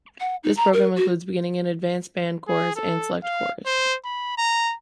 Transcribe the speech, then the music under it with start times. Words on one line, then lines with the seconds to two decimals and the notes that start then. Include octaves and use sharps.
This program includes Beginning and Advanced Band, Chorus, and Select Chorus.
0.20 F#5
0.43 D#4
0.57 A#5
0.73 A#4
0.96 F#4
2.48 G#4
2.76 A4
3.23 F5
3.66 C5
4.04 B5
4.38 A#5